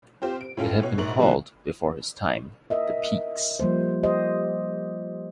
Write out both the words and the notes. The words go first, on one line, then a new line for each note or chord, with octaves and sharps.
It had been called, before his time, the Peaks.
C4 F4 G4 C5
D7
A2 C#4 F4 A4
B2 C#5
A#1 G#2 C#6 F#7
B2 D3 D#3 F3 G3 G#3
A#4 D#5 E5
F3 G3 A#3 C5
G4 C5 D#5